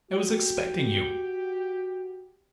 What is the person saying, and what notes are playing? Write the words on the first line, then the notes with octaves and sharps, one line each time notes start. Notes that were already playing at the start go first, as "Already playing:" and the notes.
I was expecting you.
F#4 G4